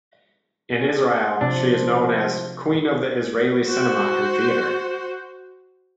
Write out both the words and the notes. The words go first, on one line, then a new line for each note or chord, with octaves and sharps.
In Israel, she is known as "queen of the Israeli cinema and theatre".
C3 F3 D4
F#4 C5